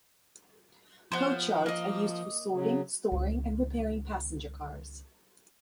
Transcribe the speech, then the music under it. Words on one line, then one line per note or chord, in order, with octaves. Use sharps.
Coach yards are used for sorting, storing and repairing passenger cars.
F3 B3 C5
A#3 D#5
C#3 F#3
C#2 D#3